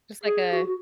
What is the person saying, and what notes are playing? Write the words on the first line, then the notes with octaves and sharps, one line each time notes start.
Just like a
G#4
F#4
F#4